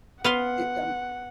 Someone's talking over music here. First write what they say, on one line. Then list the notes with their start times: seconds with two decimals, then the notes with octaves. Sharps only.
it, um
0.24 B3 F5 F#5 C6